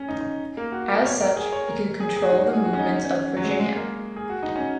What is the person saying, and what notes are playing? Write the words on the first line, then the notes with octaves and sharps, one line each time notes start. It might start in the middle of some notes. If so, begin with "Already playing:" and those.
As such, he could control the movements of "Virginia".
Already playing: C#4
D#4
A#3
F#4
A#4
C#5
A#4
G#4
C#5
A#4
G#4
G#4
F#4
D#4
F#4
G#4
F#4
C#4
D#4
C#4
F#3
G#3
G#3
A#3
G#4
F#4
D#4
C#4